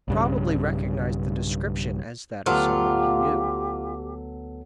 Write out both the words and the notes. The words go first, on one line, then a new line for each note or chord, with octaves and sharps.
"Probably recognized the description as that of someone he knew."
B1 G2 C#3
D2 F#3 B3 F4 G4 A4